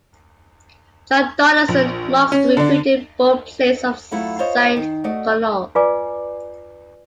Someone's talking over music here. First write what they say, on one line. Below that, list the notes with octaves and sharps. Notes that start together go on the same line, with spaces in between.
John Donaldson, marks the reputed burial place of Saint Conal.
A#1
C#4
D3 D4
F#3 A3 E4 F4
F4 C5 C#5 D#5
D#3
A3 F#4 D5 D#5
F4 B4 D5 G#5 D6